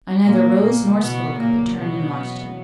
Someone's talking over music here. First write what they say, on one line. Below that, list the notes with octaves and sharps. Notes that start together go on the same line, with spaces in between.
I neither rose nor spoke, but turned and watched him.
E2 A#2 C#3 F#3 A#3
A#2 A#3
B2 B3
A#2 A#3
B2 B3